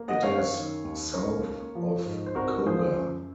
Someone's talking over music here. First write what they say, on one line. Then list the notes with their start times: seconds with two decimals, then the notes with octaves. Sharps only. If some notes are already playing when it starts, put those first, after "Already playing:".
It is south of Cogar.
Already playing: A#3
0.08 D#5 F#5
0.23 F#2 C#5 F5
0.38 C#5 F5
0.53 D#3
0.84 D#2
1.13 C#2 A#4 C#5
1.45 A#3
1.75 F3
2.05 G#2
2.26 C5
2.35 C2 F#4 A#4
2.66 F3 G#4 C5
2.96 F#2